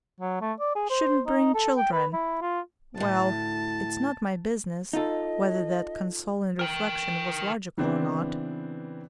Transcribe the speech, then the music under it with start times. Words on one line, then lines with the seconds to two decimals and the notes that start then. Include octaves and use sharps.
Shouldn't bring children!' Well, it's not my business whether that consoling reflection was logical or not.
0.20 F#3
0.41 A3
0.60 D5
0.75 G#4
0.90 C5
1.26 D#4
1.54 A4
1.77 G5
1.92 B4
2.13 E4
2.42 F4
2.97 D2 A2 A5
4.93 D#4 F4 A4 D#5
6.59 A#4 G5
7.77 C#3 E3 B3 C4 D4